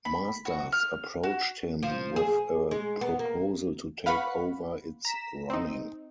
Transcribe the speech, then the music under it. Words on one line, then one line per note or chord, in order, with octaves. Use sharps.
Masters approached him with a proposal to take over its running.
B5
F#4
F6
F#4
F3
G#4
G#3
B3
A#3
B4 F5 F#5 B5 C#6
A#5 B6 E7
C4 D#4